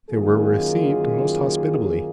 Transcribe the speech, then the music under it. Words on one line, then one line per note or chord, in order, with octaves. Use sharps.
They were received most hospitably.
F#2 D#3 A#3 F4 G#4